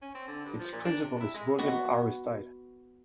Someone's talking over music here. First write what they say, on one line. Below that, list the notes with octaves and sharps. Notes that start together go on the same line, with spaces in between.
Its principal is William Aristide.
C#4
C4
D3
G2
F3
A#2
D4
C3
E4
G#3
B3 F#4